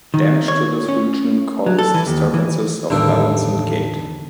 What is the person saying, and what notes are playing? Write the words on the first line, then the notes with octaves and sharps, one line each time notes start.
Damage to this region causes disturbances of balance and gait.
D#3
C#5
C#4
F#3
A4
E3
D#2
E3
A1 E2 G2 D3 D#3 D4 A4